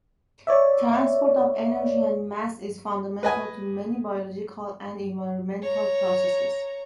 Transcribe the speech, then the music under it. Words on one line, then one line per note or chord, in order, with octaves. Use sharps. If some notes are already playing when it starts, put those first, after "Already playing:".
Transport of energy and mass is fundamental to many biological and environmental processes.
C#5 D5 E5
B4 D#5 G#5
C#5 A#5